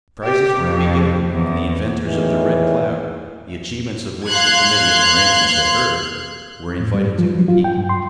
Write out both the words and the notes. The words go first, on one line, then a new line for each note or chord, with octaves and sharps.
Prizes were to be given, and the inventors of the Red Cloud, the achievements of which the committee of arrangements had heard, were invited to compete.
G4
F2
E2
E2 A2 D#3 E3
F5 C6 F#6 G#6
A2
G3
G2
F3
F#3
F4
G5
G2
C6